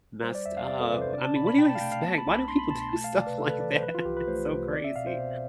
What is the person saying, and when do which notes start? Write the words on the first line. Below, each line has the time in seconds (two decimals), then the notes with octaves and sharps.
messed up. I mean, what do you expect? Why do people do stuff like that? It's so crazy.
0.23 G3 C5
0.35 D5
0.46 E2 E5
0.57 F5
0.68 C4 D5
0.80 A4
0.90 C3 B4
1.02 C5
1.13 D4 D5
1.24 A5
1.36 B2 B5
1.47 B5
1.58 B2 G5
1.69 A5
1.75 F5
1.81 A3 G5
1.92 F5
2.03 B3 A5
2.18 B5
2.26 C2
2.33 B5
2.48 D4 C6
2.59 B5
2.70 B2 A5
2.82 C6
2.93 A3 A5
3.04 F5
3.15 C3 D5
3.27 B4
3.38 C3 A4
3.49 B4
3.61 E3 D5
3.72 C5
3.83 F3 B4
3.95 F4
4.05 C2 G4
4.17 B4
4.28 A3 C5
4.50 C3
4.73 C4 D5
4.84 E5
4.96 B2 F5
5.07 C5
5.18 B2